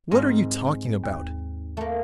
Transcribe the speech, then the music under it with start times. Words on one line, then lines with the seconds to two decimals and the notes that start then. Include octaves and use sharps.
What are you talking about?
0.11 G#2 C4 D#5 F6
1.04 D#2
1.77 A3 A#3